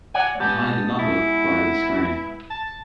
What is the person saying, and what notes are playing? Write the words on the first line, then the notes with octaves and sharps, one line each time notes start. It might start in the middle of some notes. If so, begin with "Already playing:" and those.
The higher the number, the brighter the screen.
C#5 D5 F#5 G#5
G#3 B3 G4 A5
E4
A5